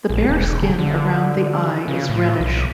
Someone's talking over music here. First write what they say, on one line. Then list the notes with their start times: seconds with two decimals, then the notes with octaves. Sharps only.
The bare skin around the eye is reddish.
0.09 A#1
0.29 E1
0.79 D3
1.88 C#3
2.10 A2
2.40 B1